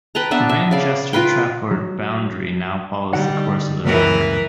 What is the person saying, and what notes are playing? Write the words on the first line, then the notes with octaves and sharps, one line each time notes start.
The Manchester-Trafford boundary now follows the course of the river.
B4 G5 A5 A#5
B3 D4 E5 A5
E5
C#3 D5 F5
F4 A#4 B4 G5
F#3
D3 G3 D#4 F#5
C#2 F#2 E3 A#3 A#4 B4